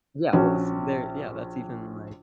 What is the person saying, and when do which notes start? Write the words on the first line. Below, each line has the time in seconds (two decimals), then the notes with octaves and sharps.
Yeah, well, it's there, yeah, that's even like
0.33 A#1 C#4 F#4